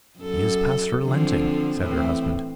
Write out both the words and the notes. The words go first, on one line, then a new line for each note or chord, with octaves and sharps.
"He is past relenting," said her husband.
F#2 A4
D3 F3 C4
A2 E3 C4